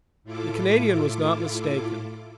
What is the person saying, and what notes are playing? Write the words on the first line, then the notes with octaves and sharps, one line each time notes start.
The Canadian was not mistaken.
A2 E4 F4 A4 D6